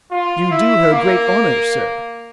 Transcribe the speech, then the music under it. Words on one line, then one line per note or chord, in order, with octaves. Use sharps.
"You do her great honour, sir."
F4
E4
A#3